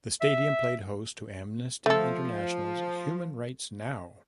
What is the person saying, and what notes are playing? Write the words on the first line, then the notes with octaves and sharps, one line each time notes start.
The stadium played host to Amnesty International's Human Rights Now!
E5
F3 A3 A4